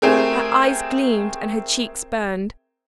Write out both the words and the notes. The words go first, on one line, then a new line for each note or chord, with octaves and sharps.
Her eyes gleamed and her cheeks burned.
A3 C4 G4 G#4 A#4